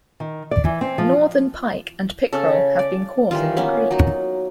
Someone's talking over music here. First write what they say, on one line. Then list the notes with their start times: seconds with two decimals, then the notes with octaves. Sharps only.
Northern pike and pickerel have been caught in the creek.
0.20 D#3
0.51 D5
0.65 E3
0.81 C4
0.98 F3
2.33 C#3 C#4 A4
2.79 D5
3.31 D#3 E3 G3 F4
3.56 A#3 B3 C#4 B4
3.91 F#3 D#4